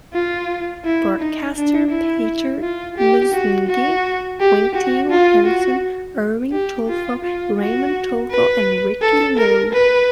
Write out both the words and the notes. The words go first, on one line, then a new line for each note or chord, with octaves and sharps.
Broadcaster Peter Musngi, Quinito Henson, Erwin Tulfo, Ramon Tulfo and Ricky Lo.
F4
E4
D#4
D4
E4
F4
G4
F#4
F#4
G4
F#4
F4
F#4
G4
F4
F4
F#4
B4
A4
A#4
B4